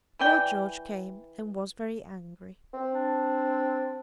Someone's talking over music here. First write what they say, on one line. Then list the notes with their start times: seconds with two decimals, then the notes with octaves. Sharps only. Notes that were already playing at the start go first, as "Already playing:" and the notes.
Lord George came and was very angry.
0.19 E3 D5 G5
2.73 C4
2.93 D4